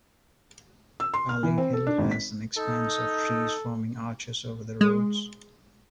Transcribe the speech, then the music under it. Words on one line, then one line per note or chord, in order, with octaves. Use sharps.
Pali Hill has an expanse of trees forming arches over the roads.
E6
C6
F6
E3
C4
A4
D4
G#1
B6
D#4 A4
G#3